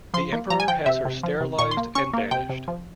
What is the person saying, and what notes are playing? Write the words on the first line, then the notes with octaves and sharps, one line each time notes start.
The emperor has her sterilized and banished.
F3 C6
A#3
F3 A#5
G#5
F3 G5
C3 E5
C3
F3
C3
A#2 C#6
C6
A#3
C#4 C#6
A#3
C3 G5
C3
F3